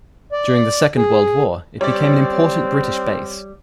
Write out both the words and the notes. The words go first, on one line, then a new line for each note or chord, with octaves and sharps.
During the Second World War it became an important British base.
D5
G#4
G3 C4 C#5 D5